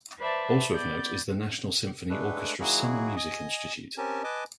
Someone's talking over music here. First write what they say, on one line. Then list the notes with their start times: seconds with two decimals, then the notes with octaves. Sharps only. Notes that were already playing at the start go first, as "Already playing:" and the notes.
Also of note is the National Symphony Orchestra Summer Music Institute.
0.18 B4 C5 D5 E5 A5
0.71 B3 D5 G6 A6
2.10 G#3 A3 D4 A4 B4
2.60 D#3 F#3 A#3 E4 F#4 G#4
3.16 D#5 G#5 D#6
3.98 C4 C#4 G4 A#4 G#5 A5
4.24 B4 D#5 G#5 A5 D6